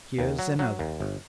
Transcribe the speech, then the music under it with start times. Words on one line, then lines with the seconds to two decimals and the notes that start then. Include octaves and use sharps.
"Here's another."
0.19 D#2
0.39 F#3
0.59 F#3
0.79 D#2
1.00 G1